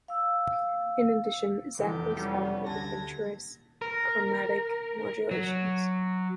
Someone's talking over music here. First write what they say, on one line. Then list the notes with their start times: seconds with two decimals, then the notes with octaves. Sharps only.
In addition, Zach was fond of adventurous chromatic modulations.
0.08 F5 E6
1.79 F1 E2 G4
2.17 G3 B3 C#4
2.66 D2 A5 G#6 A#6
3.82 A#4
5.31 F#3